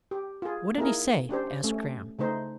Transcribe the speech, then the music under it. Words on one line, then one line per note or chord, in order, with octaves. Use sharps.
"What did he say?" asked Graham.
G4
F4 G#4
A#3 D#4 E4 G#4 A#4
C#4 D4 G4 C5
A3 C#4
C#3 A3 D#4 C5